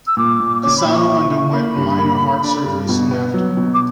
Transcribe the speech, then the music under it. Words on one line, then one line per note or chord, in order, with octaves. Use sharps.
Cassano underwent minor heart surgery soon after.
E6
A#2 D6
A#2
C#4 D6
B5
A#2
C#6
E4
E4
A#3 B5
G2
A#3
D3
D4
G2
B2
B3
F#3
B2
D6